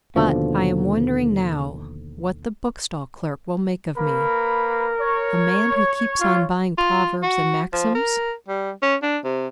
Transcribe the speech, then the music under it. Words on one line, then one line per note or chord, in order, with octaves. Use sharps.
But I am wondering now what the bookstall clerk will make of me. A man who keeps on buying Proverbs and Maxims.
D#2 B2 D3 F3
A#3 A#4 B4 B5
C#5
F4
F4
F#4
F3
A#4
G3
C#4
D4
C3